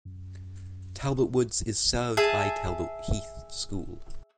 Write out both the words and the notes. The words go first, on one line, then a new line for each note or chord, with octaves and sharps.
Talbot Woods is served by Talbot Heath School.
F#2
G#4 E5 G#5 A5